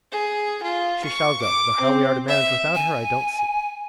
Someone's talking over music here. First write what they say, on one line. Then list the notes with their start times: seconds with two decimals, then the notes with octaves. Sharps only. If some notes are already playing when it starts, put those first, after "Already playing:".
She shall go; though how we are to manage without her I don't see.
0.12 G#4
0.63 F4
1.04 C#6
1.42 D6
1.80 C4
2.28 E5
2.75 G#5